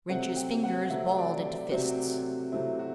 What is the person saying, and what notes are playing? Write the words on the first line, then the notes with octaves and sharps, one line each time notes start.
Rynch's fingers balled into fists.
C3 F#3 A3 C4 F#5
G5
F#5
F#5
C3 F#3 A3 C4 E5
D5
D5
C3 F#3 A3 C4 F#4
C3 F#3 A3 C4 E4
F#4